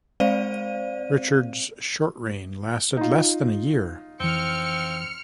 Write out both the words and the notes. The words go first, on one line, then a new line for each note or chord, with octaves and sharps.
Richard's short reign lasted less than a year.
G#3 C4 C5 D5 F5 D#7
D#4 F4
F2 E3 C4 F6 C#7